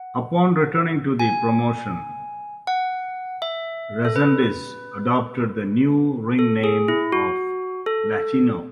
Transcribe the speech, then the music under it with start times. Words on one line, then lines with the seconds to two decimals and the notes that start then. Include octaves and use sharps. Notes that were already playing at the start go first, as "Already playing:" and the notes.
Upon returning to the promotion, Resendiz adopted the new ring name of Latino.
Already playing: F#5
1.19 G#5
2.67 F#5
3.42 E5
4.05 A4
4.16 B4
6.39 A4
6.64 G#4
6.88 E4
7.12 F#4
7.86 A4